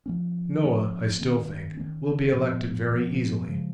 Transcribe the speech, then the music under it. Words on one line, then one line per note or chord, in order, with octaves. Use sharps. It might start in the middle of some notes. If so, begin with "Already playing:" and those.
Noah, I still think, will be elected very easily.
F3 A#3 C#4
F3 A#3 C#4
D#3 A#3 C#4
D#3 A#3 C#4
A#2 F3 B3
A#2 F3 B3
C#3 F3 G#3